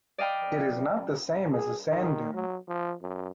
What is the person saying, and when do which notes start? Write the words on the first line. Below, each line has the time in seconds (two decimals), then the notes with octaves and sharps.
It is not the same as a sand dune.
0.18 D5 D#5 F5 G5 B5
1.52 G#4
1.88 D#3
2.34 F#3
2.68 F3
3.02 F#2